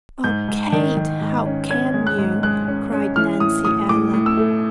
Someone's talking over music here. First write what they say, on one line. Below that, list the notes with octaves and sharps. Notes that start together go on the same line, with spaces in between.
"Oh, Kate, how can you!" cried Nancy Ellen.
G#2 G6
G#2
D#3
D#3
G#2
C#4
C#4 G#6
G#3
F#6
G#2
G#3 F#6
C#4
C#4
E3 F6
A2 D#6
A2 D#6
A2 D6
A2
E6
A3